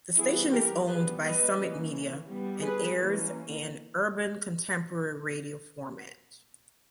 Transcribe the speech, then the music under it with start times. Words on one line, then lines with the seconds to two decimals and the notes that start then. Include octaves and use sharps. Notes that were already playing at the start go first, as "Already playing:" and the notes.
The station is owned by Summit Media and airs an urban contemporary radio format.
0.17 E3 G3 B3 E4 G#4
0.52 G4 A#4
0.87 G3 B3 G#4 B4
1.22 B4 D#5
1.57 E3 A#3 C#4
2.27 G3 B3
2.61 G#4 B4
2.97 E3 A#3 C#4